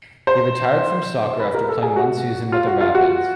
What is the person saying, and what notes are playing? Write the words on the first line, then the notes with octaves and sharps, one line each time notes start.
He retired from soccer after playing one season with the Rapids.
C5
B4
A#4
A4
G#4
F#4
F4
F#4
F4
F#4